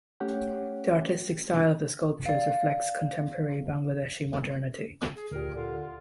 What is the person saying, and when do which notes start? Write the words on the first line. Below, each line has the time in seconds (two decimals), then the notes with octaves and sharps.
The artistic style of the sculptures reflects contemporary Bangladeshi modernity.
0.20 A3 C#4 G4 C#5 F#5 G5
2.26 D5 F5
5.16 G#4
5.31 D2 A#2 G4 A#4
5.56 D3 F4